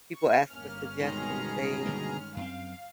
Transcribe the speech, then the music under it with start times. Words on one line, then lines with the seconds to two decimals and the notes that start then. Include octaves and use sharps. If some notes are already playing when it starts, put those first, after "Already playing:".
people ask for suggestions, they
0.13 C#6
0.50 G1 A#3 C#4 F6
1.00 B2 D#3 G#3 G#4 A#5
1.86 D3 G3 A#3
2.37 F#2 B3 C4 F5